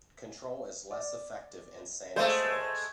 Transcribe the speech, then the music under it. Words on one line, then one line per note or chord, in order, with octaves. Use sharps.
Control is less effective in sandy soils.
D5
G#3 A3 C5 F5